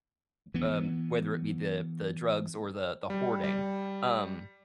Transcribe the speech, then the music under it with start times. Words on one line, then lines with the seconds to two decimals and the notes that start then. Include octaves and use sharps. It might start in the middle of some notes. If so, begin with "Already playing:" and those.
um, whether it be the the drugs or the the hoarding, um,
0.54 E3 B3
3.10 G3
3.44 G3